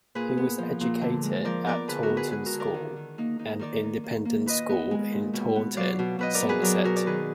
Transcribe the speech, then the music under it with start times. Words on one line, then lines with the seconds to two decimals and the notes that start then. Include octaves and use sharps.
He was educated at Taunton School, an independent school in Taunton, Somerset.
0.15 A#2 G#4 B4
0.37 B3
0.59 F3
0.81 A#2
1.01 D3
1.23 G#3
1.45 F3 A#4 D5
1.65 B3 A#4 D5
1.88 D3 G#4 B4
2.03 F#4 A#4
2.10 B3
2.17 G#4 B4
2.31 G#3 G#4 B4
2.46 F#4 A#4
2.53 D3
2.60 A#4 D5
2.74 D#3
2.96 D#3
3.18 A#3 D#4
3.39 A#3 D#4
3.59 D#3 A#4 D5
3.83 D#3
4.04 A#3
4.25 A#3
4.46 A#2 B4 D#5
4.69 B3
4.91 G#3
5.12 A#2
5.33 B2
5.56 B3
5.77 F#3 D5 F5
5.99 B2
6.19 B2 B4 D#5
6.34 A#4 D5
6.42 B3
6.49 G#4 B4
6.62 F#3 A#4 D5
6.85 B2 F#4 A#4
6.96 D5
7.06 D#3 G#4 B4